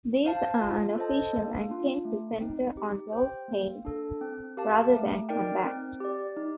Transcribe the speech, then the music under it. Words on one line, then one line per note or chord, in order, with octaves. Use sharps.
These are unofficial and tend to centre on role-playing rather than combat.
C5 F5 A5
F4
A4 C5 D#5 A5
A#3
D4 F4
A3
C4 D#4
G4
C5 G5
A#3
D4 A4
C4
G4 A#4 F5 A5
A3
D#4 A#4 D5 G5
C4
G4 D5
D#4